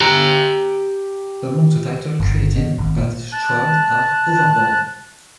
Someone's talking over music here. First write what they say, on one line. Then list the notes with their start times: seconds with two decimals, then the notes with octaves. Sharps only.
Among the titles created at Stroud are Overboard!
0.01 G4 A#5
2.20 G1
2.56 B2
2.78 G#1
2.97 A#2
3.33 A5 F#6